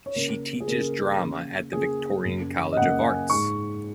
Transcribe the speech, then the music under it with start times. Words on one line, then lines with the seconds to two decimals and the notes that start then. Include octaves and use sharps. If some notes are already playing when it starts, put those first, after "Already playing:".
She teaches drama at the Victorian College of Arts.
0.06 C#5
0.16 C#3 A#3 A#4
0.60 G#4
0.68 C#3 A#3 A#4
1.21 C#3 A#3
1.73 C#3 A#3 G#4
2.25 F#2 C#3 A#3
2.73 D#5
2.77 F#2 C#3 A#3 F#5
3.03 G#5
3.30 G#2 G#3 C#6